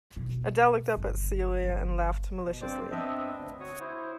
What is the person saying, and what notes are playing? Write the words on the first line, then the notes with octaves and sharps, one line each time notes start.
Adele looked up at Celia, and laughed maliciously.
B2
G1
G1
B2
G2 C4 C5 D5 D6
B3 C4 D4 D#5 E5
D2
F#4 C#5 C#6 D#6
E4 C5